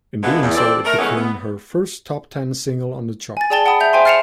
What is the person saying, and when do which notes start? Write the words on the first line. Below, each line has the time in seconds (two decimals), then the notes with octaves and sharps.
In doing so, it became her first top-ten single on the chart.
0.23 D3 E3 G#3 A#3 B3
0.41 E2
0.55 E3 C4 A4 D5
0.85 A3 A#4
0.98 C#3 E3 G#3 A3 B3 C#4
1.16 B3
3.37 G#5 A6
3.50 G#4 D5 G5 A5 A6 G7
3.66 F#5 G5 A5 B5 D#6
3.80 E5 G6 F7
3.93 C5 E5 G5 G#5 C6
4.05 F6 A6 C7 C#7 E7 F7